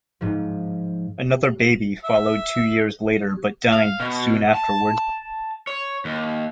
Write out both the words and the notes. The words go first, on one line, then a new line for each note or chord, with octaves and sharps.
Another baby followed two years later but died soon afterward.
G#2 F3
E5
F5
B2
A5
C#5
D#2